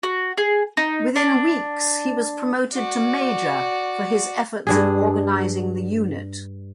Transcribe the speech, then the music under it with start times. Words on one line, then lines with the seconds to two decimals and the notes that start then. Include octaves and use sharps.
Within weeks he was promoted to major for his efforts in organizing the unit.
0.03 F#4
0.38 G#4
0.77 D#4
1.16 D4
2.73 F#4 D5
4.67 G2 D4 G#4